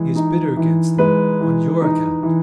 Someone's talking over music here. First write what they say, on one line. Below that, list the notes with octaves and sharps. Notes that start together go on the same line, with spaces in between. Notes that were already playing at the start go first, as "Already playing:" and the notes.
He is bitter against them on your account.
Already playing: E3 G#3
D#4
E3
G#3 B4
E3
D#4
E3